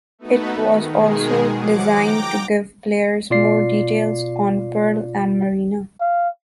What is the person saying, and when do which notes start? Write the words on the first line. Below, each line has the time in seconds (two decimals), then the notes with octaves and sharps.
It was also designed to give players more details on Pearl and Marina.
0.19 A3 B3 D#4 F#4 B4
0.55 D#3
0.89 B2 D#3 G#3 G#4
1.54 F3 F#3 F#5 D6
1.86 G5 A#5 D6
3.30 B2 F4 D5 C7
6.01 F5